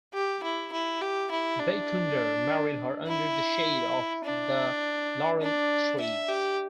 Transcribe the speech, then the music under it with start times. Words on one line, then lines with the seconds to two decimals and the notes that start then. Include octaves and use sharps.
Vaikundar married her under the shade of the laurel trees.
0.14 G4
0.44 E4
0.73 E4
1.02 G4
1.31 E4
1.60 D4
3.07 E4
4.24 D4
5.42 D4
6.00 E5
6.29 G4